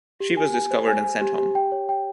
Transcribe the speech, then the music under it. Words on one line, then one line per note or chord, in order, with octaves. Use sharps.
She was discovered and sent home.
G4
G#5
G#5
C5
G#5
G#5
G4
G4
G5
C#5
G5